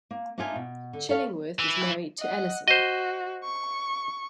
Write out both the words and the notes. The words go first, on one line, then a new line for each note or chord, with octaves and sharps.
Chillingworth is married to Alison.
A#3
A#3 D4 D#4 F4 E5 G#5
B2
D3
A4 C#5 F5
E3
D#5 F#5
F#4 C5 D#5
C#6